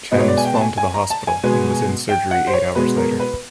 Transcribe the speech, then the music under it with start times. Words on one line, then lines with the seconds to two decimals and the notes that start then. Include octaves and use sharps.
Chan was flown to the hospital and was in surgery eight hours later.
0.12 B2 G#3 B3 D#5
0.20 C#5
0.28 D5
0.37 G#5
0.45 G5
0.55 A5
0.61 G#5
0.78 G#5
0.94 A#5
1.10 A5
1.27 G#5
1.43 B2 G#3 B3
2.09 G5
2.31 F#5
2.47 C5
2.53 C#5
2.75 B2 G#3 B3 B4
2.97 A#4
3.19 B4